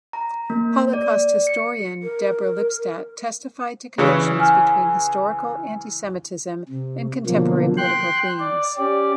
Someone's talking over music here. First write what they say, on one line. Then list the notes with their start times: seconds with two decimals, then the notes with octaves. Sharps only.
Holocaust historian Deborah Lipstadt testified to connections between historical antisemitism and contemporary political themes.
0.13 A#5
0.50 A#3
0.93 D5
1.47 C#7
2.03 A#4
3.98 C#3 E3 C#5
4.40 G#5 F6
6.69 C3
7.27 B2 D3 F3 F#3 A#3
7.77 G5 C6 F#6
8.40 D5
8.78 C#4 G4 D5